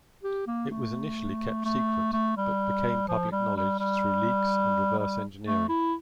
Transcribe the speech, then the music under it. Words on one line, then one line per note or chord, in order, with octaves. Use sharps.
It was initially kept secret, but became public knowledge through leaks and reverse engineering.
G4
A#3
A3
A3
A3
G3
F3
G3
G3
G3
G3
A3
E4